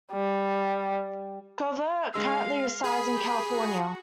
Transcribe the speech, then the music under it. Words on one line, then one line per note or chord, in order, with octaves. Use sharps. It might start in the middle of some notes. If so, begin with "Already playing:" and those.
Covert currently resides in California.
G3
G#3 F5 E6
G#4 B5
G4
F#4